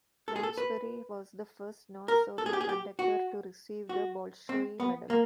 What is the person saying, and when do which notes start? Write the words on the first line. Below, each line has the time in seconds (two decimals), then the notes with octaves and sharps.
Lanchbery was the first non-Soviet conductor to receive the Bolshoi Medal.
0.28 A4
0.36 G#4
0.43 A4
0.58 B4
2.08 A#4
2.38 A4
2.46 G#4
2.53 G4
2.61 G#4
2.69 G4
2.99 F#4
3.89 F#4
4.49 C4
4.80 B3
5.10 A#3